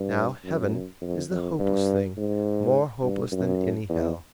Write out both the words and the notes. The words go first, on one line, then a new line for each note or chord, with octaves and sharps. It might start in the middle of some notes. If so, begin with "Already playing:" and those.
Now, heaven is the hopeless thing, more hopeless than any hell.
Already playing: G2
F#2
F2
F2
G2
G#2
G2
F#2
E2